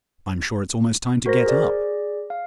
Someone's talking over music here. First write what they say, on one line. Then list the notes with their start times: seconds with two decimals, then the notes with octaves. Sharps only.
I'm sure it's almost time to get up.
1.26 F#4 A#4 C5 A#6
1.46 G#4 D5
2.30 F5